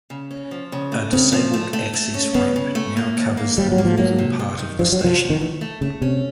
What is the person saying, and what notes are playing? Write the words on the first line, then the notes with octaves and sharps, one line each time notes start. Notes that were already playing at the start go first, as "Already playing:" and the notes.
A disabled access ramp now covers the northern part of the station.
C#3
C#4
F3
C#3
A3
C#3 C4
F3
A3
A3
A3
C#4
C#3 B3
C#3
A3
A#3
D#2
A#3
D#2 G3
F#3
A#3
F3
F#3 A#3
C3
C3
D#3
E2 F3
F#3
C3 F3
E2
D#3
E3 A3
A3
C#3 A3
C3 C#4